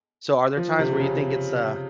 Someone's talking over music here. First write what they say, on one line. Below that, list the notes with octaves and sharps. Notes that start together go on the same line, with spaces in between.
So are there times where you think it's, uh
F3
C3
C#3